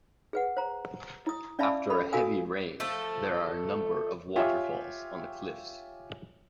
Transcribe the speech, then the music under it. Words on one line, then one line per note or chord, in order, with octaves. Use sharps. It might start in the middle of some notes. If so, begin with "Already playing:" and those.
After heavy rain there are a number of waterfalls on the cliffs.
G#4 B4 F#5
C5 A#5
E4 D#6
C#4 D5 E5 F5 A5 B5
A4 B5
F#4 A4 A#4 F5 G#5 D#6
F3 A3 A4
F4 G4 C#5 E5 G#5